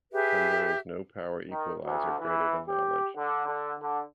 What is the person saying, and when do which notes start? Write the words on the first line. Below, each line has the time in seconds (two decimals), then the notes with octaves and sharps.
And there is no power-equalizer greater than knowledge.
0.13 G4 G#4 B4 E5
1.51 D#3
1.83 D2
2.19 E3
2.66 G4
3.15 D3
3.46 D3
3.79 D3